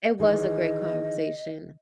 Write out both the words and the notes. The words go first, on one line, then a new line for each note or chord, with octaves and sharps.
It was a great conversation.
D#3 E3 G#4 D#5